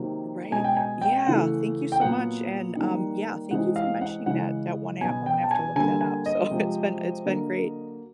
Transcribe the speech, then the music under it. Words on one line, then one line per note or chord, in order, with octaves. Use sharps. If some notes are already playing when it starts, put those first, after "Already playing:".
Right, e yeah, thank you so much, and, um, yeah, thank you for mentioning that that one app, Imma have to look that up. So, it's been it's been great.
Already playing: C3 D#3 F#3 A#3
B2 G#3 B3 G#5
G5
G#5
G5
C#3 E3 A3 F#5
G5
A#2 F#3 B3 F#5
D#3 G3 A#3
C3 E3 G#3 F#5
F5
F#5
C#3 E3 G#3 F#5
B2 F#3 B3 G#5
G5
A5
G#5
D3 G3 A#3 G#5
G#5
D#5
C3 F3 G#3
D3 F#3 A#3